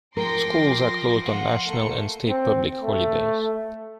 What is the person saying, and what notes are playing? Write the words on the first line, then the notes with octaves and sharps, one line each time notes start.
Schools are closed on national and state public holidays.
F3 A#4 G5 C6 D6 A#6
F4 F#5
A3 A#3 C#7
C4
A3